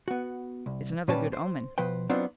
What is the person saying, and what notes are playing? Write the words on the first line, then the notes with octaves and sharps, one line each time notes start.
It's another good omen.
B3 F#4
C2
A#2 G3 C#4 B4 A5
C5
B2 F3 B4 C5 G5
F#3 B3 C4 D4 D#4 F4